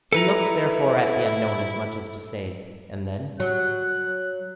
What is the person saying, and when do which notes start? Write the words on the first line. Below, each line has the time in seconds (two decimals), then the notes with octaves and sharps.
He looked, therefore, at the unknown, as much as to say, "And then?"
0.12 E4 A4 B4 A#5
3.40 F#3 F#6